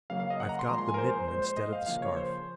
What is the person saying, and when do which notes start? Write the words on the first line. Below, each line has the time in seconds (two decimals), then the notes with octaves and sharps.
I've got the mitten instead of the scarf.
0.10 C#3 F#3 A#3 F5
0.20 F5
0.30 D#5
0.40 F#5
0.49 A#5
0.59 C6
0.69 A#2 F3 G#3 A#5
0.78 C6
0.89 G#5
0.94 A#4
0.98 C5
1.13 C5
1.28 A#2 G#3 C5
1.42 C5
1.57 D#5
1.73 F5
1.86 C#3 F3 A#3 F5
2.02 C#5
2.17 C5